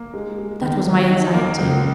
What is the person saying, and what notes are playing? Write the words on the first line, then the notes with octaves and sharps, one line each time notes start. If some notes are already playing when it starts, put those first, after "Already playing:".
That was my anxiety.'
Already playing: A#3
G#3
G#3
D#3
F#3
D#4
A#3
C#2